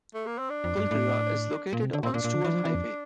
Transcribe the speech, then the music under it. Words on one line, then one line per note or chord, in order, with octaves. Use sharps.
Kulgera is located on Stuart Highway.
A3
A#3
C4
D4
F2
G2
A2
A#2
C3
D3
A#2 C4
A#2 D4
A#2
D3
E3
F3
E3
F2